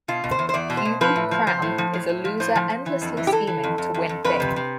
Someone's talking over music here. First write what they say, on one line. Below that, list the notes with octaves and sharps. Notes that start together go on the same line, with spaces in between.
Hubie Cram is a loser endlessly scheming to win big.
B2 F4
B2
C5
E2
C5
E2 D5
B2
C5
B2
F3 B4
A2
F3
F3 C5
A2
F3
A2
A2
F3
A2 C5
F3
F3
E3
F2
E3
G4
E3 A4
E3
F2
F2
F2
F2
F2 B4
C3
C3